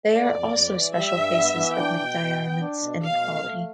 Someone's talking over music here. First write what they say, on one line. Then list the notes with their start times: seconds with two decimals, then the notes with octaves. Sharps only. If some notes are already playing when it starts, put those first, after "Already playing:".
They are also special cases of McDiarmid's inequality.
0.12 A3 D5
0.33 F2
0.53 F2
0.75 E3
0.95 G3 E5
1.15 G2
1.37 B3
1.58 E3
1.78 D4 G5
1.99 B2
2.20 B2
2.41 B3
2.61 D4
2.81 B2
3.03 B2 F5
3.24 A3
3.44 A3